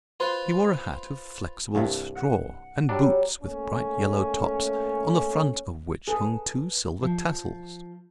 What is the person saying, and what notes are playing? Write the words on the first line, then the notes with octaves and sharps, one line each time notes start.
He wore a hat of flexible straw and boots with bright yellow tops, on the front of which hung two silver tassels.
F4 B4 C5
C2 G2
F#5
F#3 G3 D4 D5
A3 A#3 C#4
G#4 A4 B4
F3